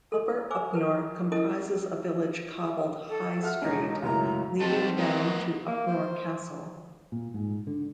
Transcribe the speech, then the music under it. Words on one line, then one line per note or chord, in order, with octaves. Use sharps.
Upper Upnor comprises a village cobbled high street leading down to Upnor Castle.
A4
C5 G#5 D6 E6
A#4 B4 A5
C#4 E4 A#4 D#5 A5 D#6
A4
E5 F#5 F6
E1 C#4 D#4
C#2 F#2 A2 A#5
C4 D#4 A4 A5
B3 A#4 D#5
A#3
C5
A#2
G#2
D3